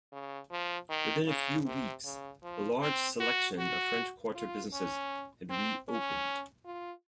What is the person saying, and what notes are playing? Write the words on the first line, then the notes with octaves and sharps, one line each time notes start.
Within a few weeks, a large selection of French Quarter businesses had reopened.
C#3
F3
D#3
C#3
C3
C#3
F3
C4
F#4
F#4
F4
C#4
C4
C#4
F4